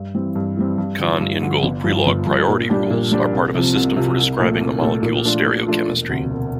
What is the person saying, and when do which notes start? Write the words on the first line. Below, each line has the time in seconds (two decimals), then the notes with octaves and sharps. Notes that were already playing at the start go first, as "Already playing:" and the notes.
Cahn-Ingold-Prelog priority rules are part of a system for describing a molecule's stereochemistry.
Already playing: G2
0.14 E3 G3 C4
0.35 G2
0.57 E3 G3 C4
0.78 G2
0.99 D3 F3
1.21 G2
1.42 D3 F3
1.63 G1
1.84 G2 F3
2.06 G1
2.27 G2 F3
2.48 A#2
2.69 G3 D4 G4
2.90 A#2
3.12 G3 D4 G4
3.33 C2
3.55 C3 F3
3.75 C2
3.97 C3 F3
4.18 C2
4.39 A#2 A3
4.60 C2
4.81 A#2 A3
5.03 A#2
5.24 F3 A3 D4 F4
5.45 A#2
5.67 F3 A3 D4 F4
5.88 E1
6.09 D2 C3
6.30 E1